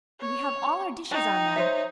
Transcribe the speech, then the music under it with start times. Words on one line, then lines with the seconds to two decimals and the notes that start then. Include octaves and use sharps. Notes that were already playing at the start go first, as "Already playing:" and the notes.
And we have all our dishes on them.
0.20 C#5
1.11 D#4 G5
1.56 C5 C#5 E5